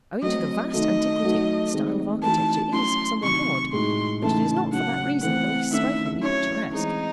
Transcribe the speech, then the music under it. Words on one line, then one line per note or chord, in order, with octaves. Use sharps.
Owing to the vast antiquity, the style of architecture is somewhat odd, but it is not for that reason the less strikingly picturesque.
F#3 A3 C4 D#5
D#3 A3 D#4 F#4 D#5
F#3 A3 D#4 F#4
D#3 G#3 C4
E3 A3 D#4 F#4 A5
F#3 A3 C#4 E4 C6
C3 D#3 F#3 C#6
A2 G#3 D#4 F#4 C6
C#3 E3 A3 D#4 A5
C#3 F#3 C#4 F#5
E3 A3 C4 F#5
D#3 A3 C#4 E4 E5
F#3 C#4 E4 C#5
E3 G#3 C4 D#4